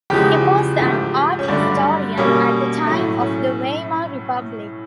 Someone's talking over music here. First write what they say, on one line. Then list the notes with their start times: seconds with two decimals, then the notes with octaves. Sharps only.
He was an art historian at the time of the Weimar republic.
0.10 E2 C#3 F3 G#3 G4
0.79 G#2 F3 A3 G4
1.39 C#4
1.48 G2 D3 F#3 A3 D4
2.18 B2 G3 A#3 C#4
2.87 A2 F#3 A3
3.21 C#4